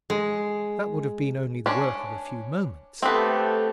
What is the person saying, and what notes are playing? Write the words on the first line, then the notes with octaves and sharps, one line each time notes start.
That would have been only the work of a few moments.
G#3
C#4 D4
A3 B3 C4 G4 A4